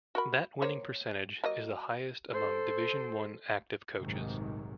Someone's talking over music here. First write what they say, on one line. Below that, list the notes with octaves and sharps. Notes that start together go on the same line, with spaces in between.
That winning percentage is the highest among Division One active coaches.
F#4 A#4 B5
A#3 C5 C#5
F#3 A#3 D#5
A4 C5
F1 A#1 G#2 C3 D#3 F#3